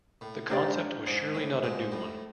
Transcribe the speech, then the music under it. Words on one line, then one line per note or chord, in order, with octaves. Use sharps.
The concept was surely not a new one.
A2
G#2 D4 G4 A#4 D5
G#2
A2
G#2
A2